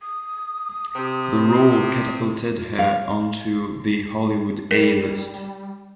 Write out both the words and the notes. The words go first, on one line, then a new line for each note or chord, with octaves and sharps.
The role catapulted her onto the Hollywood A-list.
D#6
C3
F5
G3 A#4